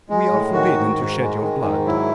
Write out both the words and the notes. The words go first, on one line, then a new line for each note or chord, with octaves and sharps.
"We are forbidden to shed your blood."
G#3
A2
D#3 F#4
G#2
G#2
G#3
D#3
G#2
F#3 E4